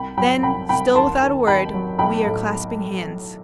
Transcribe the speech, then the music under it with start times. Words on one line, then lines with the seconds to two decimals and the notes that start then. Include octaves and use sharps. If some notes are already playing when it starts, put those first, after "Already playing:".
Then, still without a word, we are clasping hands.
Already playing: C2 G5 B5
0.17 F#3 G5 B5
0.43 C2 G5 B5
0.69 C2 G5 B5
0.95 D#2 A5 C6
1.22 D#2
1.47 D#3 G5 B5
1.74 F#3
1.99 B1 G5 B5
2.25 A2